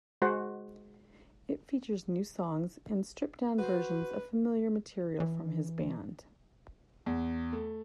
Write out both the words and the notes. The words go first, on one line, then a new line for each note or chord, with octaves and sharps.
It featured new songs and stripped-down versions of familiar material from his band.
G#3 F#4 C5 F#5
F#4 B4 C5
E3
E2
A3